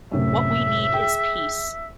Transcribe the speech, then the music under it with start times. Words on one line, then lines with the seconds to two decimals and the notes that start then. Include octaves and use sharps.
What we need is peace.
0.12 F#2 A2 C3 E5
0.93 G#4 G5